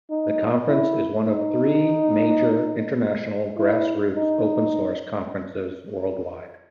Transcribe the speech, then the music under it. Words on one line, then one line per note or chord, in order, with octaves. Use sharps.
The conference is one of three major, international, grass-roots open-source conferences worldwide.
D#4
E4
D#4
E4
D#4